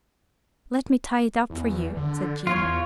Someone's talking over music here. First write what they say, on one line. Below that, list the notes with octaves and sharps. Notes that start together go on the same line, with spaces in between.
"Let me tie it up for you," said Jean.
E2
D3
E2 F4 C#5